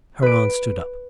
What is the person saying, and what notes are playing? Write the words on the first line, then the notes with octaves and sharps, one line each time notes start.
Her aunt stood up.
B4 D7